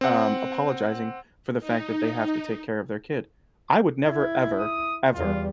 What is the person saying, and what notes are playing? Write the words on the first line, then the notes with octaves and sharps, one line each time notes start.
um, apologizing for the fact that they have to take care of their kid. I would never, ever, ever,
C4 F#5
D#4
E4 G#6
D#6
E2 G3 F4